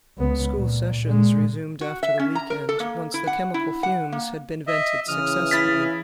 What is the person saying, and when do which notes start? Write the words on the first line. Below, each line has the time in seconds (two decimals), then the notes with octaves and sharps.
School sessions resumed after the weekend once the chemical fumes had been vented successfully.
0.18 C#2 B3
0.55 A#2
1.06 A#2 G#3
1.81 F#4
2.03 E5
2.19 C#4
2.35 A#5
2.50 A#4
2.69 A4
2.80 A#3
3.14 E4
3.27 F#5
3.54 E4
3.83 F#5
4.12 A#3
4.67 D#5 E5
5.08 C#3 E3 D#6 F6
5.51 E4 A6 B6